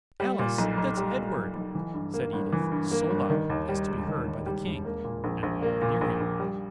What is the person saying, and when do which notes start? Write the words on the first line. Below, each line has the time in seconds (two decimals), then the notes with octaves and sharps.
"Alice, that's Edward!" said Edith, so loud, as to be heard by the king, and all near him.
0.20 G3
0.39 A#2
0.58 B1
0.78 B1
0.97 G3
1.17 A#2
1.36 B1
1.56 B1
1.75 E3
1.94 G2
2.14 A#3
2.33 G1
2.53 E3
2.72 G2
2.91 A#3
3.10 G1
3.30 D#3
3.50 D#2
3.69 G3
3.88 E1
4.07 D#3
4.27 D#2
4.46 G3
4.66 E1
4.85 A#3
5.04 A#2
5.24 A#1
5.43 A#1
5.62 A#3
5.82 A#2
6.01 A#1
6.21 A#1
6.40 G3